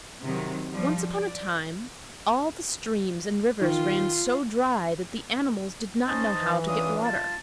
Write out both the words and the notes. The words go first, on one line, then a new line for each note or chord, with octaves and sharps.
Once upon a time all the streams and rivers ran so dry that the animals did not know how to get water.
C3 D#3 F#3
F3 G3
D5
D#3 F4
C#4 D#4 C5 D#5 A5
E3
C#4 D4 F4 D#6
F4 A5